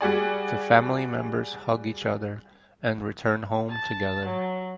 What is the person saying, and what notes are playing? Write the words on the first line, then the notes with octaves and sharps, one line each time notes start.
The family members hug each other and return home together.
G3 F#4 G#4 D5
A5
F#3